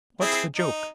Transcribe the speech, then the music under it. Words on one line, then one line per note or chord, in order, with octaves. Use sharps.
"What's the joke?"
C4 E4 G#4
D#4